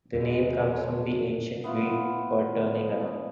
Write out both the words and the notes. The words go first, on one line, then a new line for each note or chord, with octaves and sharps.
The name comes from the ancient Greek for "turning around".
E2 B2 G#3
A4 B4 C#5
B3 E4 F4